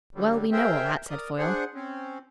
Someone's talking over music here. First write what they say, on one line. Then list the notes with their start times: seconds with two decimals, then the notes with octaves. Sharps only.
"Well, we know all that," said Foyle.
0.15 D3 F#3 G3
0.52 G#4 A#4 C5 E5 G5
1.10 A#4 D5 D#6
1.38 D4 G#4 C5 F#5
1.75 C4 C#4